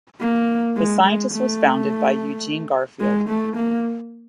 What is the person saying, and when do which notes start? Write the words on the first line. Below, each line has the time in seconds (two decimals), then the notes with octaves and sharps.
"The Scientist" was founded by Eugene Garfield.
0.20 A#3
0.76 G#3
1.05 G#3
1.32 A3
3.01 G#3
3.29 A3
3.56 A#3